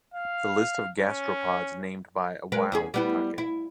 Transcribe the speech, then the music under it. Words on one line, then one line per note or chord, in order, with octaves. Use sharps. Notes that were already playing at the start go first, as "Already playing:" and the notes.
The list of gastropods named by Iwao Taki.
F5
C#4
G#3 A#4 B4
E2 C#4 G#4
G3 B3 E4
E4